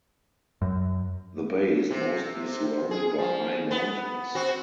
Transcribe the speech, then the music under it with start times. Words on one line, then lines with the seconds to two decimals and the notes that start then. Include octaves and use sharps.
The bay is mostly surrounded by high mountains.
0.62 F#2
1.91 C3
2.91 G#4
3.18 F3
3.71 B3
4.35 C4 F#4